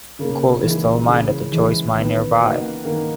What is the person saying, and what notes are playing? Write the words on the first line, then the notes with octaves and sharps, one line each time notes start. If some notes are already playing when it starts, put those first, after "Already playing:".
Gold is still mined at the Joyce Mine nearby.
C#3 A#3
E3 G#3
C#3
E3 G#3
D#3 B3
A#3 D#4 F#4
D#3 A#3